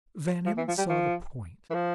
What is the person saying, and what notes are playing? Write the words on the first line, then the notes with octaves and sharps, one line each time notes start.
Van Emmon saw the point.
F3
E3
F3
G3
F3
E3
F3